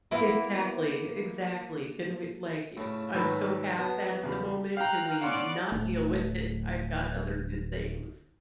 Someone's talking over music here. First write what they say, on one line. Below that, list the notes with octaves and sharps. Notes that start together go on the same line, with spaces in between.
Exactly, exactly. Can we, like, y I'm so past that at the moment. Can we not deal with it? I've got other good things.
A#3 B3 E4
A2 C#3
D#2 G#2 F#3 A4 B4 B5
F#3 B3 A5
E2 C#3
F5 G5 A#5 F6 F#6
B3 C#4 D5 F5 F#5 C6
D1 A3